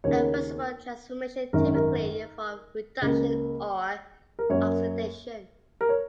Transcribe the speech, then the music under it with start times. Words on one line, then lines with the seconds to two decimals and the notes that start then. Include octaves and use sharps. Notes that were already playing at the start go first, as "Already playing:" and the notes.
Irreversible transformation typically involve reduction or oxidation.
0.04 D#2 C#3 A#3 C#5
1.53 G#1 F#2 D#3 A#4
1.75 A#4
3.02 C#2 C#3 A#3
4.39 A#4
4.49 F#2 F#3 A#3 C#5
5.81 A#4
5.89 C#5